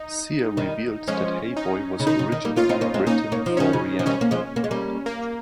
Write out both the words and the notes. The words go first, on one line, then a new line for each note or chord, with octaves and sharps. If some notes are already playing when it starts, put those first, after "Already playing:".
Sia revealed that "Hey Boy" was originally written for Rihanna.
Already playing: D#4
D#3 G3
F3 G#3 C#4
D#4
C#3
D#3 D#4
C#3
D#3
G3 A#3
A#3 C#4 F4
C4 D#4
A#3 C#4
G#3 C4
A#3 C#4 D#4
A#3 C#4
F3
D#3 C#4
C#3
F3
D#3 G3 C#4
A#3
F3 G#3
A#3
G#3
G3 A#3
A#3